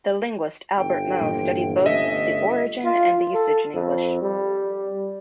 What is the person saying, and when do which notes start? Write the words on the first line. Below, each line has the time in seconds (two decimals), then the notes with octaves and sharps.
The linguist Albert Moe studied both the origin and the usage in English.
0.77 G1 G5
1.20 G2 A#2 E3
1.86 D3 A3 C#4 D#5 E5 B6
2.84 F4
3.34 A4
3.74 F2
4.22 G3